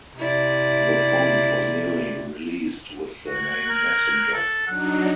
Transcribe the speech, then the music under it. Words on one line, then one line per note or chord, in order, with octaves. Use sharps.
The font was nearly released with the name Messenger.
C3 E4 D5
F#4 F#6 G#6
A#4
A4
F#3 D4 D#4 F#5